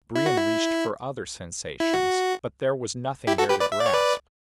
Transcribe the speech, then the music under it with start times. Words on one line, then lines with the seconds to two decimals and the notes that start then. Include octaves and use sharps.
Brion reached for other sensations, but there was nothing there to grasp.
0.15 E4
0.26 F#4
0.38 E4
1.80 E4
1.94 F#4
3.27 E4 G4
3.38 F#4 A4
3.49 G4 B4
3.60 B4 D5
3.72 E5
3.79 D5
3.86 C#5
3.93 B4 D5